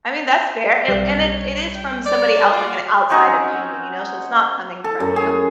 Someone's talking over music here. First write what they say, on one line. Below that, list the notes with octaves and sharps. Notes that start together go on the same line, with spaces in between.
I mean that's fair, it and then, it is from somebody else, like an outside opinion, you know, so it's not coming from you,
B1 C3 G3
C#5
G5
A#4 C#5 D5
F4 F#4 D5
C4 C#4 D#4 F#4
A4
F#2
G#4